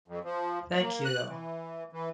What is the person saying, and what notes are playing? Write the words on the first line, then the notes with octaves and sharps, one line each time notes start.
Thank you.
F2
F3
A#3
F#6
E3
E3